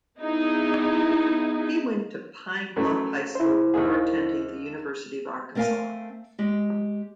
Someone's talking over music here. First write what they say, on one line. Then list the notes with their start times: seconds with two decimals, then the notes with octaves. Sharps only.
He went to Pine Bluff High School before attending the University of Arkansas.
0.19 B3 D#4 E4 G#4
2.76 F#2 F#3 A3
3.35 E4 C5
3.74 D#2 A#3 G#4
5.55 A3 C4 A#4 B4 F5 G#5
6.39 G#3 G4